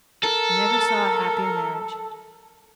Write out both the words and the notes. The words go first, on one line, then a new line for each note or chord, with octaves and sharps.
"Never saw a happier marriage."
A4 A#4